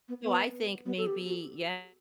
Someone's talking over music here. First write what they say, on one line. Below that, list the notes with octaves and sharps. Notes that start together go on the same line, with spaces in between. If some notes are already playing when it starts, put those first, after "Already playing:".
So I think maybe Yeah,
B3
B3
B3
A4
G4
F#4